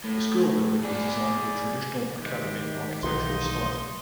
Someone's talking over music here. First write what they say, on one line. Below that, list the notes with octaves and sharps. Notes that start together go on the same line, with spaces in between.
The school building was designed with traditional academy architectural style.
A2
G#4 D5
C2 D#3 G#3 G4
B1 E3 F#3 A3 A#3 D#4 C6